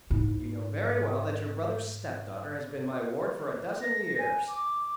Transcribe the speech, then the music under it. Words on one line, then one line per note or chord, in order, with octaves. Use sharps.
"You know very well that your brother's stepdaughter has been my ward for a dozen years."
G#2 E4
A#6
G#5
D6